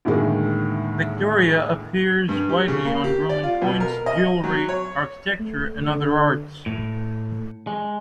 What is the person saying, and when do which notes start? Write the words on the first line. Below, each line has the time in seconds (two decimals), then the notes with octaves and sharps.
Victoria appears widely on Roman coins, jewelry, architecture, and other arts.
0.05 D2 A2 D#3 G#3 A#3
2.29 G2
2.49 G4
2.68 C#3
2.85 A#3
3.04 G4
3.29 D5
3.43 F4
3.62 B2
3.80 A#4
4.06 D#5
4.44 F#3
4.69 C#5
5.39 A3
5.82 D3
6.66 A2
7.67 G#3